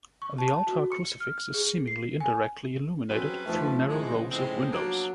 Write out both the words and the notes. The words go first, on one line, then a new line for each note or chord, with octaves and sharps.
The altar crucifix is seemingly indirectly illuminated through narrow rows of windows.
C#6
A5
A5
F#4
C#7
F6
G#4
C7
G#5
F#3 G3 C4 C#4 G#4 B4
D#3 F3 A3
G#2 C#3 E3 G#3
A2 G#3 C4
F#3 A#3 B3 D4